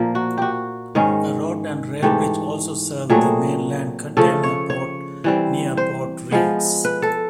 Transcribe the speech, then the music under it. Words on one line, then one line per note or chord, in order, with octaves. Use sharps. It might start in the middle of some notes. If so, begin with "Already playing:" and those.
A road and rail bridge also serve the mainland container port near Port Reitz.
Already playing: A#2 F3 A#3
F#4
F#4 G4
G#2 D#3 G#3 C#4
G#2 E3 A3 G4
A#2 F#3 A3 C4 G#4
C#3 F3 A3 A4
C#5
C#5
E3 G3 C4
C5
F3 G#3 B3
B4
A4